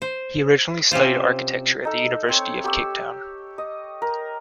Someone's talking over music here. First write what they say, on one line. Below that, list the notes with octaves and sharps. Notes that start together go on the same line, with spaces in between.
He originally studied architecture at the University of Cape Town.
C5
C3 C#4 F4 C5
D#4 A4
C4 C#5
G4 C#6 E6
D#5
A#4